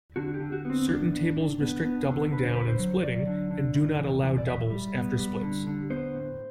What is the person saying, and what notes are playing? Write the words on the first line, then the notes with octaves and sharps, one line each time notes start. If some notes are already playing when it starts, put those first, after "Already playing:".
Certain tables restrict doubling down and splitting, and do not allow doubles after splits.
D3 F#4
G4
D3
F#4
B3 C4
A2 D4
A2
A2
B3
B3
D3
D3 B4
C5
D3 B4
C5
F#3
F#3 D5
D3
D3
A2
E3
E3
D5
A2 E5
G3
B3
G3
D3
D3
B3 C5
A2